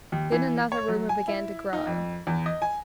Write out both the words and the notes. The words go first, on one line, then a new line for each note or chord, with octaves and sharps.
Then another rumor began to grow.
D#2
E3
C#5
F#3
G#5
E4
D#4
F2
E2
D#5
G#5